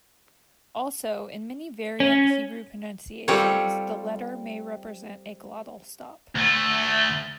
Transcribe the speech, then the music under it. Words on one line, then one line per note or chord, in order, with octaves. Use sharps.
Also, in many variant Hebrew pronunciations the letter may represent a glottal stop.
C#4
G3 C4 F4 A4 C#5
D2 A3